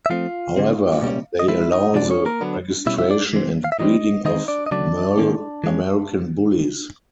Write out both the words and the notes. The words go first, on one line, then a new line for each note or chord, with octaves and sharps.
However, they allow the registration and breeding of merle American Bullies.
E5
F3 A3 C4 F4 F5
D3 G3 C4
B2 G3 A#3 C#4
D#5
F3 G#3 C4 E4 E5
D#4 D#5
C3 F3 G#3 D4 D5
C#4 C#5
A#3 A#4
D3 F#3 B3 D4
B2 G3 A#3 C#4 E4 E5
E4 E5
D4 D5
E3 G#3 C4
F5
E5
A2 E3 G3 C4 D#4 D#5
D#3 G#3 C4 D#4 D#5
D4 D5
D#5
C#3 F#3 A3 D4 D5
D#3 F#3 A#3 C#4
E3 G#3 C#4